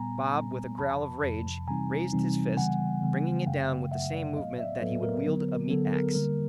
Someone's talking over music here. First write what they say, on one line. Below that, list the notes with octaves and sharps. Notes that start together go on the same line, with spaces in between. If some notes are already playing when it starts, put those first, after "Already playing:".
Bob, with a growl of rage, raised his fist, bringing it down with the same movement that he would wield a meat axe.
Already playing: A#2 G3 B3 G#5 A#5
A#2 G3 B3
F2 C3 F3 A5 B5
F2 C3 F3
C3 E3 G3 C4 D#4 G#5 A#5
C3 E3 G3 C4 D#4
C#3 E3 G3 B3 F#5 G#5
C#3 E3 G3 B3
F#2 C#3 F#3 A3 F5 G5
F#2 C#3 F#3 A3 E5 F#5
D5 E5
A2 F#3 B3 D#5 F5
D5 E5
A2 F#3 B3 A4 B4
A#4
D3 F#3 B3
D3 F#3 B3 A4
A#4
D3 G3 A#3 A#4